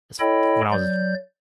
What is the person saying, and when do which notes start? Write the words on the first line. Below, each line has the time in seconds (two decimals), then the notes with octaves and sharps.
s when I was
0.20 E4 A4 C#5 D#5 G5 B5
0.72 F#3 D5 G6